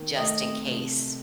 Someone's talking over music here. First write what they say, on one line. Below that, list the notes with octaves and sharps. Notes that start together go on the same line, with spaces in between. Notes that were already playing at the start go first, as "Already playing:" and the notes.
just in case
Already playing: D#3
A3 D#5
C4
C3